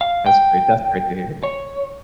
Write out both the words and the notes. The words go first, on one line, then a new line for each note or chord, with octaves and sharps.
That's great that's great to hear.
F5
G5
C#5